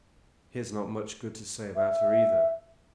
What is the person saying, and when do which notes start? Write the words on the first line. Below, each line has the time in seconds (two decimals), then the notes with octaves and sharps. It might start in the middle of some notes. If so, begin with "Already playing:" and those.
"He has not much good to say about her either."
1.75 E5